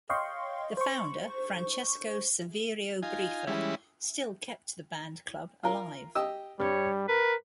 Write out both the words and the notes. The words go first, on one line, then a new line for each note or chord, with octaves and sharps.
The founder, Francesco Saverio Briffa, still kept the band club alive.
C#5 D#5 F5 G5 C6 C#6
C5 C#6
D#4 F4 G#5
E3 G3 G#3 C#4 E4
F4 A#4
G4 D#5 E6
G2 G3 C#5
A#4 B4